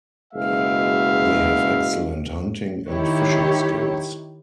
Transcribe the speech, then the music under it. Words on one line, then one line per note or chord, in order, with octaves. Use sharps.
They have excellent hunting and fishing skills.
F#1 B2 G#3 E5 F5
D#3 E4 G4 C#5